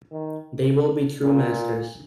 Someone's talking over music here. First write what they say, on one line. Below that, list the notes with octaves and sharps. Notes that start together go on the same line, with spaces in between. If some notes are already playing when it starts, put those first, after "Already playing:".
They will be true masters.
D#3
A#2